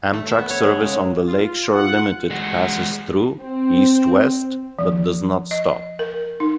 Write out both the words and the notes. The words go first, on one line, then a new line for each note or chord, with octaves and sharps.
Amtrak service on the "Lake Shore Limited" passes through, east-west, but does not stop.
A3
E5
B3
C#5
G#3
C#3
F4
F#5
G#3 F#4
C4
F3
D#5
A#4
D#4